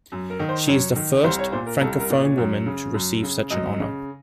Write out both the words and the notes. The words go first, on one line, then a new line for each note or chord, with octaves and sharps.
She is the first Francophone woman to receive such an honour.
F#2
A#4
D#3
C5
F#2 C#5
D#3
C2 C5
C#5
A#2 C5
A#4
C2 A4
A#4
A#2
C#5
F#2
C#3
F#2
C#3
F#2 D#5
C#3